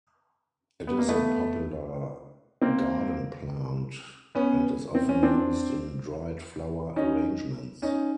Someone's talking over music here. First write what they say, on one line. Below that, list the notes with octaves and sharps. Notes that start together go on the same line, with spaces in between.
It is a popular garden plant and is often used in dried flower arrangements.
B3
A#3
A3 B3
A#3 C4
B3 C#4
C4
C#4
C4 D4
C#4 D#4
C#4 D#4